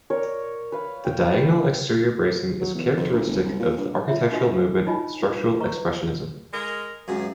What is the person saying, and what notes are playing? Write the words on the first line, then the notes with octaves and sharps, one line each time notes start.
The diagonal exterior bracing is characteristic of the architectural movement structural expressionism.
A#4 C#5 D5
B4 F5 B5
G5
F#3
E2
F2
D2
G1
C2
A#2
G2
F4 C#5 E5
D4 F#4 G4 D#5 F5 D#6
D#4 F4 C#5 D#5 G#5 B5
B4 D#5 A#5 C#6
G#3 A#4 D#5
C#2 F#2 G#4